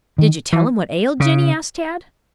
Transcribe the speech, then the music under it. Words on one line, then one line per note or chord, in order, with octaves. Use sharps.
"Did you tell him what ailed Jinny?" asked Tad.
D#3
E3
C#3